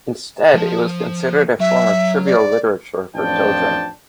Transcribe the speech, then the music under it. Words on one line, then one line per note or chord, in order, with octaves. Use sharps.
Instead, it was considered a form of trivial literature for children.
F3 A5
F#3 E5
D5
A1 F2 F3 D4 G5 A5